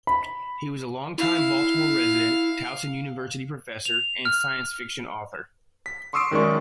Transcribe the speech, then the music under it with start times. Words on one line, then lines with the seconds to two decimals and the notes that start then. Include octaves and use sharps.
He was a long-time Baltimore resident, Towson University professor, and science fiction author.
0.07 B5
1.18 E4 F5
3.85 F7
4.25 F6
5.86 B6
6.13 C6 C#6 D#6 E6 C7 D7
6.31 F#2 D#3 G#3 A#4 D5 C#6